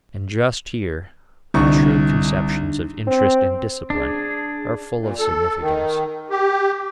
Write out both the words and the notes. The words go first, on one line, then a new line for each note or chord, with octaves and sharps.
And just here the true conceptions of interest and discipline are full of significance.
C2 D3 D4 D#4 C#6
C4
D4 G#4
A#2
A4
D#3
G4